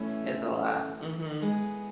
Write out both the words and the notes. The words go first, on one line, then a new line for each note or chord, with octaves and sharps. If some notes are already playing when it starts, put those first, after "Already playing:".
It's a lot. Mhm.
Already playing: A2 E3 A3 C#4
G#3 B3